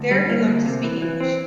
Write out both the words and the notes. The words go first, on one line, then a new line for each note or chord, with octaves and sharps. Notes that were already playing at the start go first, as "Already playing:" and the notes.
There he learned to speak English.
Already playing: D2
G3
A#3
D2
C3
E3
E3
C4